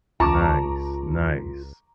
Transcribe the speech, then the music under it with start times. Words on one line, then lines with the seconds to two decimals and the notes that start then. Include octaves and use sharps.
Nice, nice.
0.20 C#2 F4 A5 A#5 C#6 D6